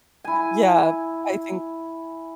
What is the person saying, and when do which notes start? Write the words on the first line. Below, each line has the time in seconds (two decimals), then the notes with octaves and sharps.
yeah, I think
0.24 E4 G#5